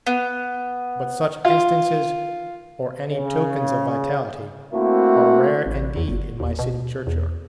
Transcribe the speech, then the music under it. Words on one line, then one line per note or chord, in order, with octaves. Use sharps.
But such instances, or any tokens of vitality, are rare indeed in my City churchyards.
B3
F4
C#3
A3 A#3 C4 E4 F#4
A1
E2
G1
D#2
B2
E2